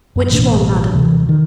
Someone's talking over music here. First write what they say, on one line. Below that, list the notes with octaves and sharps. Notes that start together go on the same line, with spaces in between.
"Which one, madam?"
F#2
A1 B2 A#3 D4
D#2 C3 E3
D#3